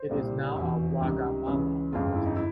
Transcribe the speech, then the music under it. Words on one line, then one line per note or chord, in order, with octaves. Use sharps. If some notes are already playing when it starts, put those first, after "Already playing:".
It is now a Wagamama restaurant.
Already playing: C5
C2 A#2 G3
F1 E2 B2
C#2 C3 D#3 G3
C#2 C#3 E3
G1 F2 C#3 F3 G#3 F4
E4
D#4
E4